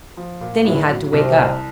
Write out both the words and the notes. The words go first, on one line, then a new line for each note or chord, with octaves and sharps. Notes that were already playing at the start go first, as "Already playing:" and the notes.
Then he had to wake up.
F3
A#2
E2 A2 E3
F#3
C2 C3
C2